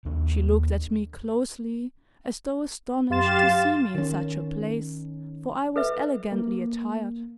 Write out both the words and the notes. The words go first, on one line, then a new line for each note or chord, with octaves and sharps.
She looked at me closely as though astonished to see me in such a place, for I was elegantly attired.
D#2 D4
F#2 G4 F5 C6 A6 E7
D#3 C#4
A4 B4 E5
A#3